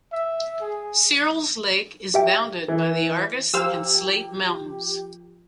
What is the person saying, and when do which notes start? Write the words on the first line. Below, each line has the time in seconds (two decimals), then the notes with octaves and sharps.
Searles Lake is bounded by the Argus and Slate Mountains.
0.12 E5
0.61 G#4
2.14 G4 E5 G5
2.68 E3
3.54 F3 F4 G4 C5 F5 E6